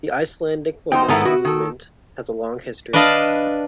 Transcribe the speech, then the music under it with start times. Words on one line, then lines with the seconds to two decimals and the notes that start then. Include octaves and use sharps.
The Icelandic women's movement has a long history.
0.92 E2 D#4 C5 G5
1.08 G#2 D#3 B3 E4 A4 A#5
1.25 F#4
1.45 D#3 A4
2.93 D4 B4 D5 D#5 F5 A5